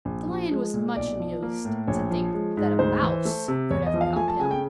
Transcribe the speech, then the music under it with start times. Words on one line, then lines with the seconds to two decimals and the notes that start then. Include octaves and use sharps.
The Lion was much amused to think that a Mouse could ever help him.
0.05 A#1
0.27 F3
0.51 G#3
0.74 A#2
0.96 B1 D5
1.20 F3
1.43 A#3
1.65 A2
1.87 A#1 C#5
2.11 F3
2.34 G#3
2.57 G#2
2.79 D2 C5
3.03 E3
3.25 A3
3.48 C3
3.70 E2 C#5
3.87 D#5
3.94 F3
4.01 F5
4.16 A3 G#5
4.28 A5
4.40 C#3 G#5
4.51 G5